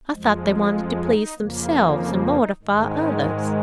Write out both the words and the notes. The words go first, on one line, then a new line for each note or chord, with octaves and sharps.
I thought they wanted to please themselves and mortify others.
F2 F3 G#3
F4
D#4
F2 C#3 F3 A#3
D#4
D#4
G#2 D#3 G#3
C#4